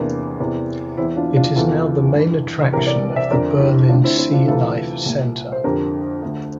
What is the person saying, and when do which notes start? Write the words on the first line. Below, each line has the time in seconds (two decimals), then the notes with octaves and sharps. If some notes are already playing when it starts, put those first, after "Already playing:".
It is now the main attraction of the Berlin Sea Life Centre.
Already playing: E2 C3 E3 A#3 D4
0.40 E2 C3 E3
0.97 E2 E3 C4 E4
1.17 D4 F4
1.37 D4 F4
1.56 E2 C3 E3 F4 A4
2.15 G2 E3
2.73 C2 C3 E3 G4 A#4
2.87 A#4 D5
3.16 C5 E5
3.30 F2 D3 A#4 D5
3.60 E4 G4
3.89 D2 D4 F4
3.94 D3
4.04 C4 E4
4.18 C4 E4
4.32 D4 F4
4.48 D2 C3 E3 F4 A4
5.05 C2 A#2
5.52 C5
5.64 F2 D3 G4 A#4
6.22 D2 D3